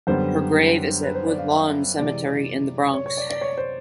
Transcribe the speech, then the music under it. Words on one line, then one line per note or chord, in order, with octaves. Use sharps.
Her grave is at Woodlawn Cemetery in the Bronx.
F#2 D3 G3 B3 C5
B4
C5
D5
F5
E5
C3 E3 G#3 D5
C#5
C#5
D5
D5
C#5
C5